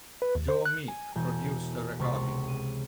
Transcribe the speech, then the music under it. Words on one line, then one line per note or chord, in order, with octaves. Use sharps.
Joe Meek produced the recording.
B4
D#2
C5
F#6
G#5
E1 G#5 G6
C#2 C3 C5 C#6 A6 B6
D#7